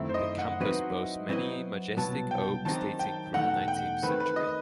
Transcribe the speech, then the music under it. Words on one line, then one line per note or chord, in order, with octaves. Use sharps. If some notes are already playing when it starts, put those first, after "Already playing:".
The campus boasts many majestic oaks dating from the nineteenth century.
Already playing: F#2 D#3 A3 C4 E4
C5
D#5
F#5
F#3 C4 D#4 F#4 B4
F#3 C4 E4 B4 D#5
C2 B2 F#3 B3 A5
G5
D#3 F#3 C4 D#4 G4 A5
G5
E2 B2 A3 D#4 F#5
G5
D#3 A3 C4 B4
B4
D#5